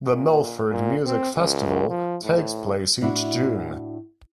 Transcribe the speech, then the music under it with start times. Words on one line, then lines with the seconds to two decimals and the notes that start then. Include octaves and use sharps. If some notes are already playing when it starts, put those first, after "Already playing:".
The Milford Music Festival takes place each June.
0.11 A#2
0.71 A#2
1.06 C4
1.35 C#2
1.89 F3
2.23 A2
3.01 A2 D4 E4 F#4